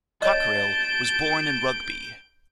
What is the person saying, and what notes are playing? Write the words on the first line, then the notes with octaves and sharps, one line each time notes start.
Cockerill was born in Rugby.
C#5 D#5 A5 G6 D7